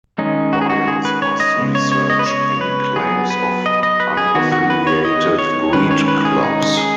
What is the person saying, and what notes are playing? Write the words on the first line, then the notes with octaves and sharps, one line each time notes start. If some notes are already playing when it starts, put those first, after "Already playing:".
Buyers must research any claims of unaffiliated breed clubs.
D#3 G#3 C#4 D#4
F#4
G#4
F#4
G#4
B4
C#5
D#5
C#3 G#3 B3
C#5
C#5
D#5
B4
C#5
B4
F#3 B3 G#4
B4
D#5
D#5
B4
G#4
D#3 B3 F#4
F#4
B4
C#5
D#5
C#5
D#3 G#3 C#4 B4
C#5
B4
G#4
D#4
G#4